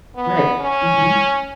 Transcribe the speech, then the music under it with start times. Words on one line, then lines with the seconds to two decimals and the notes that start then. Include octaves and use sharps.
Right. Mhm.
0.16 B3
0.60 C#4